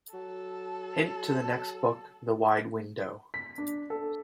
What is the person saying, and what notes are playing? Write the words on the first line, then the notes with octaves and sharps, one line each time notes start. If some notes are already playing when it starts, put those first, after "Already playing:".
Hint to the next book The Wide Window.
F#3 A4
B6
D4
A4